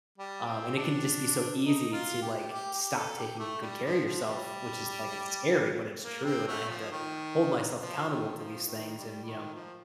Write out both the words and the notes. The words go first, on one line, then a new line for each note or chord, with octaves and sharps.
Um, and it can just be so easy to, like, stop taking good care of yourself, which is, like it's scary, but it's true, and I have to hold myself accountable to these things and, you know,
G3
C4
D4
D#4
F4
G4
G4
G4
A4
G4
A3
G3
F3
F3
G3
A#3
C4
A3
F3
D#3
F3
D#3
F3
D#3
G3
D#3
F3